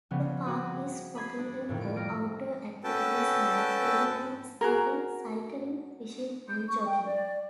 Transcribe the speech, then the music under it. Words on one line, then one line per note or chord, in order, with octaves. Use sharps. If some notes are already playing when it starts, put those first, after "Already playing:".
The park is popular for outdoor activities like inline skating, cycling, fishing and jogging.
C#3 F3 G3 B3 C#4
C4 F#4 G#4
B5 D#6 G#6 C7
D4
F2 A2 D#3
G3 F6 A#6 D7
C#4 F#4 A4 B4 G5 A5
F#4 G#4 A#4
G6
C#6
G5
D5